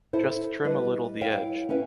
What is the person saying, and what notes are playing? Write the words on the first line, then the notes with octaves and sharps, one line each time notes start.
Just trim a little the edge.
E4 A4 C5
G3 B4 D#5
E4 C#5 F5 G5
C#4 E4 B4 E5